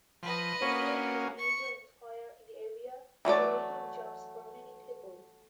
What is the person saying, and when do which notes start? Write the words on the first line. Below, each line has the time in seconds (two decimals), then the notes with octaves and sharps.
Sabian is a major employer in the area, creating jobs for many people.
0.23 F3 B4 D#5
0.62 A#3 C#4 F#4
1.38 C#6 C#7
3.25 E3 F#3 A3 D5